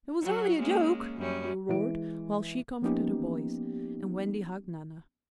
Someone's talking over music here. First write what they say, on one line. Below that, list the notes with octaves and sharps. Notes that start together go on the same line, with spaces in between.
"It was only a joke," he roared, while she comforted her boys, and Wendy hugged Nana.
F#3 F#4
G#3 A#3 C#4
F#2 G3 C#4
E3 G#3 D7
F3 A#3 B3 C#4 D#4 G4